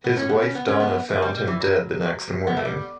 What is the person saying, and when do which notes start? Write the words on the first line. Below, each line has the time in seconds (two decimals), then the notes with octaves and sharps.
His wife Donna found him dead the next morning.
0.04 B3
0.17 C#4
0.29 B3
0.42 C#4
0.55 B3
0.68 C#4
0.80 B3
1.09 A3
1.22 G3
1.35 G3
1.47 E3
1.60 F#3
2.47 B3
2.57 A3
2.65 G3